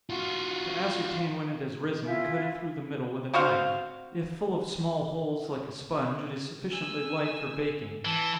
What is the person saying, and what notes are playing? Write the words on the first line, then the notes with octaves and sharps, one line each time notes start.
To ascertain when it has risen, cut it through the middle with a knife--if full of small holes like a sponge, it is sufficiently light for baking.
F4 F#4
E4 F4 E5 G#5
C4 F#4 C5 F5
G#5 E6
E3 A5